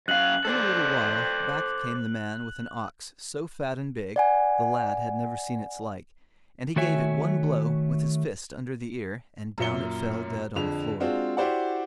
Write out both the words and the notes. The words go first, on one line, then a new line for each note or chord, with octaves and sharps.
In a little while back came the man with an ox so fat and big, the lad had never seen its like, and he gave it one blow with his fist under the ear, and down it fell dead on the floor.
F#2 F5 F#6 F#7
A4 C5 D5
D5 F#5 G#5
D#3 A3 F#4 C#5 E5 G#5
F#2 A#2 E5 C#7 G7
F2 D3 G#4 F7
G#3 C4 D4 F4 F#4
E4 F#4 G4 C5 D5 F#5